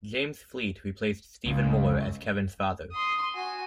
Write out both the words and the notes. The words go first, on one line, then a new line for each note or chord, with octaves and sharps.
James Fleet replaced Stephen Moore as Kevin's father.
C#2
C6 D#6
F#4 G#5